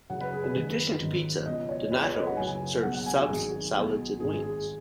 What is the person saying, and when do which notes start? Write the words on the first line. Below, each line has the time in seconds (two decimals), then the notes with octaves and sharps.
In addition to pizza, Donatos serves subs, salads, and wings.
0.10 F#2 C#3 F#3 F#5
0.21 B4
0.33 G#4
0.44 B4
0.55 F#2 D#3 G#3
1.01 G#1 G#2 D#3 F#3
1.46 C#2 B2 F#3 D#5
1.69 C#5
1.92 C#2 B2 G#3 B4
2.04 C#5
2.15 D#5
2.27 F#5
2.37 F#1 F#2 C#3 F#3 G#5
2.83 B1 B2 G#3 F#5
2.95 F#5
3.06 G#5
3.17 F#4
3.28 G#1 F#2 D#3 G#4
3.74 B1 B2 G#3
4.20 G#1 G#2 G#3 G#4
4.42 G#4